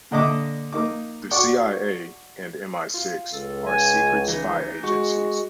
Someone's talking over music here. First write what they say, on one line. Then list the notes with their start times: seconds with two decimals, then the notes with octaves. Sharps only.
The CIA and MI-Six are secret spy agencies.
0.11 A#2 D3 D4 D#5 E5 D6
0.72 A#3 D#4 D6
1.31 F#4 D5 F#5 C#6 D6
2.94 F4
3.33 C#2 A4
3.66 G#5
4.28 E3 D#4
4.83 G#3 F#4 C#6